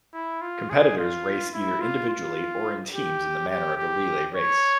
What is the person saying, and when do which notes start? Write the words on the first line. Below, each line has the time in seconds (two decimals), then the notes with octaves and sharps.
Competitors race either individually or in teams in the manner of a relay race.
0.14 E4
0.41 F4
0.69 G#4
0.97 F4
1.54 E4
1.81 F4
2.09 F4
2.94 G4
3.49 G4
3.77 G4
4.34 C#5